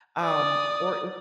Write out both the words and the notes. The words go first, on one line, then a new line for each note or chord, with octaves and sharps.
um, or
D5 D#6